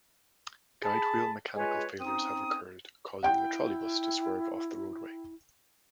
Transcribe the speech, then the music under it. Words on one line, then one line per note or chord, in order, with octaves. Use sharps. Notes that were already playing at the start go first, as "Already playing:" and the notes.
Guidewheel mechanical failures have occurred, causing the trolleybus to swerve off the roadway.
G#4 A5 B5
G#3 F4 B4 C#5 G#5
C4 C#4 D#4 D#6
E4 F#5 G5 G6